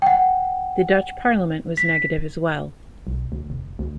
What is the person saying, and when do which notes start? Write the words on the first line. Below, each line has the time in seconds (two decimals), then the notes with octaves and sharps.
The Dutch Parliament was negative as well.
0.02 F#5 G5
1.77 B6
3.07 B1
3.32 D2
3.50 F1
3.79 D2